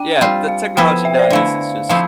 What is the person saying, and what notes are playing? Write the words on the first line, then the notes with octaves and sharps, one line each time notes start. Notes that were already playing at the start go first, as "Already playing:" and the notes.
Yeah, the technology, nowadays, is just
Already playing: D4 G5
G3 C4 F4
F5
F3 B3 E4 A4 G5
E5
C5
D5
E5
D3 A3 E4 F5
F3 A3 C4 E4 F5